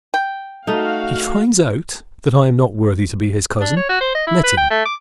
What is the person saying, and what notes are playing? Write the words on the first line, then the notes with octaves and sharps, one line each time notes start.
If he finds out that I am not worthy to be his cousin, let him.
G5
A3 D#4 F#4 F5
D4
C#5
F#4
C5
D#5
E4
B4
G5
A3
D6